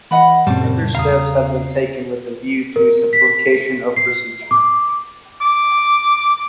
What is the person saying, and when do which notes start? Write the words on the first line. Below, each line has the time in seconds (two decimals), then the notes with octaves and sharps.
Further steps have been taken with a view to simplification of procedure.
0.11 E3 D#5 F#5 B5
0.47 F#2 A#2 C#3 G3 C4 A5 C#6
0.95 E2 C#3 F5 A#5 D#6
2.76 A#4
3.13 B6
3.96 C7
4.51 D6
5.41 D6